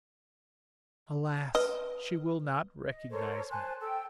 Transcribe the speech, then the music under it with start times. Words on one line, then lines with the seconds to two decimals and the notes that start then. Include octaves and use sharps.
Alas! she will not recognize me.
1.55 B4 D#5
2.88 D#5
3.10 A4 A#4 C5 C#5
3.50 C5 G#5 A5 F#6
3.80 A4 G5 E6